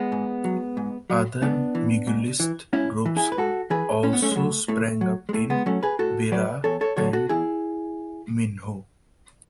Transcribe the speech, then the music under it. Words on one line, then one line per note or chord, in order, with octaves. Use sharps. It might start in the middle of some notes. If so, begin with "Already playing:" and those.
Other miguelist groups also sprang up in Beira and Minho.
Already playing: G#3 B3
G#2
F#3
G#2
F#3
G#2 B3 D4
E3
G#2
E3
G#2 C#4 E4
E3
E4 G#4
B4
G#2 F#4 A4
E3 G#4 B4
A2 C#4
B3
A3 C#4
G#3
F#3 A3
A2 A3
F#3
G#3
A2 A3
G#3 B3
F#3 A3 C#4
G#4 B4
A2 F#4 A4
F#3 B4 D5
E2 A4 C#5
A4 C#5
D3 F#3 A4 C#5
F#4 A4
E2 E4 G#4